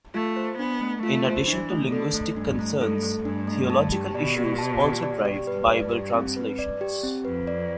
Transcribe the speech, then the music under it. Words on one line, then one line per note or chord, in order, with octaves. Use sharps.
In addition to linguistic concerns, theological issues also drive Bible translations.
A3 F4
C5
B3 D4
A3
A3 F4
C5
E3 D4
A3
D3 A4
A3
G2 D4
A3
G2 A4
A3
G2 D4
A3
A5
G4
B2 D5
G4
A5
G4
D5
G4
G2 B4
D5
G4
C4
B4
D5
G4
C4
F2 B4
D5